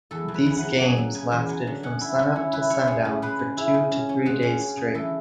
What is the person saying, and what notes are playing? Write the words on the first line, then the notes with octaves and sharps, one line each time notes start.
These games lasted from sunup to sundown for two to three days straight.
E2 A4
E2
B4
C#3
F#5
F#3
F#3 G#5
F#3
C#3 G#5
E2
F#3 G#5
D3
C#4 F#5
E4
C#4 E5
E4 C#5
E4 B4
E4 C#5
G#3 C#5
C#3
G#3 B4
C#3
C#4 E4
C#3
C#4
C#4
G#3 F#4
C#4
C#4
C#3
E3 A4